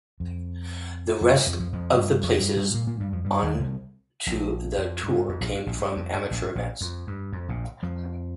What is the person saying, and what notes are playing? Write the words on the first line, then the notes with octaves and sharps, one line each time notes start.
The rest of the places on to the tour came from amateur events.
F2
F2
G2
F2 F3
F2 F3
F2 F3
G2 G3
F2 F3
G2 G3
G2 G3
A#2 A#3
A#2 A#3
G2 G3
F2 F3
G2 G3
D#2 D#3
C2 C3
A#1 A#2
F2
G2
F2
A#1 A#2
G2
A#1 A#2
G2
F2
G2
A#1 A#2
G2
A#1 A#2
F2
G2
F2
A#1 A#2
F2 F3